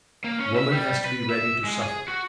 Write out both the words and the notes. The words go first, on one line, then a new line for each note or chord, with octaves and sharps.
Woman has to be ready to suffer.
A#3
C#4
E5
G3
B4
E5
G#3
G#4
F#4